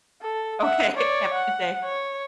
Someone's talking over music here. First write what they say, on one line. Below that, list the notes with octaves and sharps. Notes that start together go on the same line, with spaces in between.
Okay. Have a good day.
A4
E5 F#5
C#5 D5
F#5
C#5